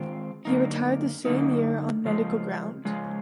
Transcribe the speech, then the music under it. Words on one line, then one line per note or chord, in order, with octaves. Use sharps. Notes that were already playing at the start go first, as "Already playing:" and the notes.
He retired that same year on medical ground.
Already playing: D#3 G#3 C4 F4
F#2 D3 F3 A#3 D#4
F#2 D3 F3 A#3 D#4
C#3 F3 G#3
C#3 F3 G#3